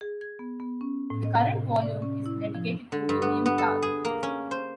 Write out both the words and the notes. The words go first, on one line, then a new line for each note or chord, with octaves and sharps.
The current volume is dedicated to William Targ.
G#4
G#6
B3
B3
C#4
A2
D#5
C3
D5
C#4
E4
F3
D3
G2
B3
B3
A4
G#4
A#3
C#4
C5